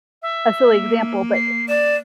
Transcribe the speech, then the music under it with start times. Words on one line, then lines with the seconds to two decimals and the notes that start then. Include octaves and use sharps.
a silly example, but
0.22 E5
0.68 A#3
1.34 C7
1.69 D5 E7